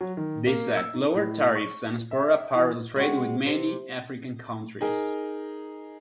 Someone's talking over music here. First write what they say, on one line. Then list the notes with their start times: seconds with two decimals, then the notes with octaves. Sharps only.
This act lowered tariffs and spurred apparel trade with many African countries.
0.01 F#3
0.17 D#3
0.47 A#3
0.77 E6
0.94 D#4
1.14 A2
1.55 C#6
2.11 E5
2.55 E3
2.96 G#3 C4 F#4
3.46 C3
4.81 D#4 G#4 A#4